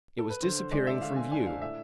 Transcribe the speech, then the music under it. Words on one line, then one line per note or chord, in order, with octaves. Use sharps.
It was disappearing from view.
A4
B4
D3 C5
C5
G#3 D5
E5
D3 F5
G#5
D4 G#5
F5
A2 E5